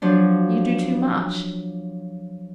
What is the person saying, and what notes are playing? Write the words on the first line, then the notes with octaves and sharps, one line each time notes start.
You do too much.'
F3 F#3 D4